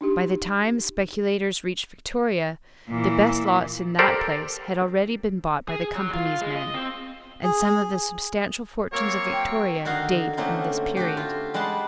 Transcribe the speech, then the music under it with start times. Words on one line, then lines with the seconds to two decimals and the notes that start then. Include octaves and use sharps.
By the time speculators reached Victoria the best lots in that place had already been bought by the company's men; and some of the substantial fortunes of Victoria date from this period.
0.01 D4 D#4 G4
2.88 A#2 E3
3.99 G4 A4 A#4 C5 D5
5.69 G#4
5.96 F#3
6.14 F4
6.41 G#3
6.56 D#5
6.74 C4
7.44 G#4
8.93 F#3 A#3 C4 C#5
9.33 G5
9.85 D3 D#3 F#4 D#5 F5
10.37 D3 A3 A#3 C4 C#4 D#4
10.97 A3 F#4 G4
11.17 F4
11.54 G3 G#3 B4 F#5 A5 C6